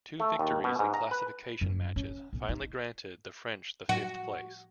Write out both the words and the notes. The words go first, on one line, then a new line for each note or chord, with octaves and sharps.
Two victories in classification matches finally granted the French the fifth place.
A3
D#2
B2
G#2
A#5
B4
F#2
C#4
B1
D#4
F#4